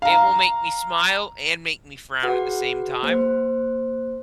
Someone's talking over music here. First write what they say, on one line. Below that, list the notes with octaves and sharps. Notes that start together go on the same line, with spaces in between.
It will make me smile, and make me frown at the same time.
F5 A#5
F#4 G#4 B4 F#5
A#3 C5